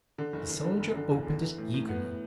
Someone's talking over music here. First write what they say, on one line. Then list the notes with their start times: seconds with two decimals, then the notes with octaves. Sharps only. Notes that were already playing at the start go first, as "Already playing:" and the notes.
The soldier opened it eagerly.
0.18 D3
0.33 F#1
0.49 F#1
0.64 D3
0.80 F#1
0.96 D3
1.12 E2
1.27 D3
1.42 E3
1.58 A2
1.74 A2
1.89 B3
2.04 A2